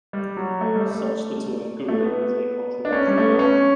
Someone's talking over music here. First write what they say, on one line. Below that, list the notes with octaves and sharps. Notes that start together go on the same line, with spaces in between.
As such, the term "guru" is a controversial one.
G3
F#3
A3
G3
A3
A3
B3
D4
C#4
G3
A3
B3
C#4